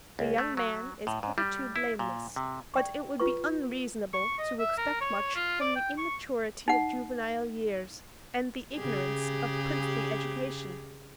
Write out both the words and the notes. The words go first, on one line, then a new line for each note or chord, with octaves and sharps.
The young man is hitherto blameless; but it would be unreasonable to expect much from the immaturity of juvenile years, and the ignorance of princely education.
C#2
A3
F#3
A2
G#2
G3
E4
A#2
C3
D5 G5 C#6
F4 G4 B4 C#6
C#6
D#5
E5
A#4
C#5
F4
D5
G5
C#6
D#4 F#5
C#3 G4 G#4